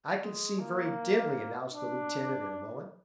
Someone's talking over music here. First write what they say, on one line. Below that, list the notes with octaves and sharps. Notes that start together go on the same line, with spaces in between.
"I can see very dimly," announced the lieutenant in a moment.
G#3
A#3
D4